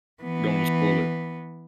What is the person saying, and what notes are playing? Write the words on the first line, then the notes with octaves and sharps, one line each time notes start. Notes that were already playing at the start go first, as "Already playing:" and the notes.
Don't wanna spoil it.
E3 B3